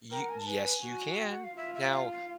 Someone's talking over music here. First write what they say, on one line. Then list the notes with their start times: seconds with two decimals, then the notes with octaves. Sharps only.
You yes, you can. Now
0.11 A#4 G5
0.20 F#5
0.29 G#5
0.38 A5
0.47 B4 G#5
0.84 F#4
1.20 G5
1.32 F#5
1.44 F5
1.56 F4 E5
1.75 E5
1.92 F5
2.11 F5